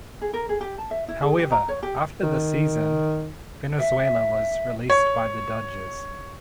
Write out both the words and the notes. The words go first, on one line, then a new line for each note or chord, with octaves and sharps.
However, after the season, Valenzuela was released by the Dodgers.
G#4
A#4
G#4
G4
A5
E5
E4
G#4
G4
A#5
C#5
G4
D#3
E5
C#5